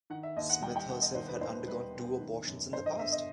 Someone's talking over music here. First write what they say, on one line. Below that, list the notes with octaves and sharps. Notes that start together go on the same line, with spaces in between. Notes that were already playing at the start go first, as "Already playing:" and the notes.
Smith herself had undergone two abortions in the past.
D#3 F#5
E5
D#2 D#5
F#5
G3 G5
G5
E1 F#5
D#5
D#3 C5
B4
D#2 C5
B4
G3 B4
E1
D#3
F#2
G1 C5
D#5
G1 E5
D#5